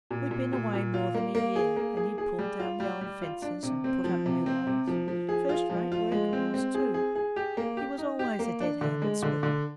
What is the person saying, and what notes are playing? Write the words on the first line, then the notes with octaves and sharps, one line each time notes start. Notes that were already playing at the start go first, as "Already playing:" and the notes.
We'd been away more than a year, and he'd pulled down the old fences and put up new ones--first-rate work it was too; he was always a dead hand at splitting.
A#2
A#2
A#2
A#2
F4
A#3
A#3
G#4
A#3
G#4
G#4
G3
F4
G3
G3
F4
D4
C3
C4
F3
C3
C4
C3
F3
F3
G#4
F4
F3
F4
G#3
C4
C4
G#4
G#4
G#4
G4
A#3
G4
D#4
G4
A#3
D4
D3
G#3
D3
D3